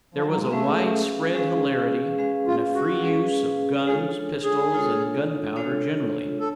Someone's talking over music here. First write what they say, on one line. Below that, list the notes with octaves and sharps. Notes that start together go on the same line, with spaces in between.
There was a widespread hilarity, and a free use of guns, pistols, and gunpowder generally.
F3
F#3
G#3
G#3 A3 C#4 G#4 B4 F5
G#3 C#4 G#4 B4 F5
G#3 C#4 G#4 B4 F5
F4
F#4
G#3 C#4 G#4 B4 F5
G#3 D4 F4 G#4 A4 C#5
G#4
G#3 D4 F4 A4 C#5
G#3 D4 F4 A4 C#5
A4